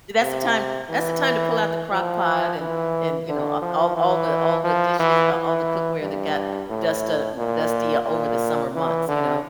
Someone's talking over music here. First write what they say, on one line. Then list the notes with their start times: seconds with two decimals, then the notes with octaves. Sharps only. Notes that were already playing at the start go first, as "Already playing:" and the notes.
See, that's the time that's the time to pull out the Crock Pot and and, you know a all all the all the dishes, uh, all the cookware that got dust on dusty over the summer months, you know.
0.22 C3
0.90 E3
1.92 F3
2.61 E3
3.29 D3
3.62 F3
3.97 E3
4.64 F3
4.99 E3
5.33 E3
6.02 G2
6.70 A2
7.37 A#2
8.06 A#2
8.74 E3
9.08 D3